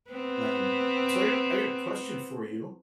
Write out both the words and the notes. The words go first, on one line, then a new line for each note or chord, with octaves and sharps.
Um, so I got I gotta question for you.
B3 C4